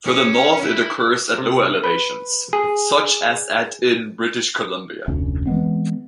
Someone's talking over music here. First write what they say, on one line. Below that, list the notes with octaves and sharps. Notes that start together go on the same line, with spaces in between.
Further north it occurs at lower elevations, such as at in British Columbia.
C#4
E4
C3
B4
G#4
F1 D2 C#4
E3 G#3 B3 C4